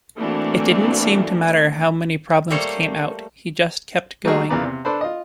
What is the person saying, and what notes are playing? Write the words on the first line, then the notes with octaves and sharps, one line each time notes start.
It didn't seem to matter how many problems came out, he just kept going.
E3 A3 A#3 C4 D4 F#4
G3 A3 A#3 A4 C5 C#5
G3 A3 A#3 D#4 F#4 G#4
E2 A#2 C#3 B3 D5 A#5
C3
D4 A4 B4 C5 B5
F4 D#5